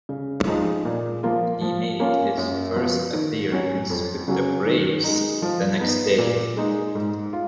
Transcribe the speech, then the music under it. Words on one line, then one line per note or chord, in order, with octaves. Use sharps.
He made his first appearance with the Braves the next day.
C#3
F3 G#3 D#4
A#2
F3 A#3 F4
F3
A#3 C#4 F4
F#2
F3 B3 F#4
D#3
F#3 C#4 F#4
F2
C#3 F#3 C#4 F#4
D#3
G#3 D#4
F3
B3 D#4
A#2
G#3 D#4
G#2
F4